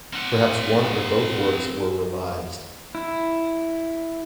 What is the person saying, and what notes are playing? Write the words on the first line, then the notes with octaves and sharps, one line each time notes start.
Perhaps one or both works were revised.
C4 F#5
E4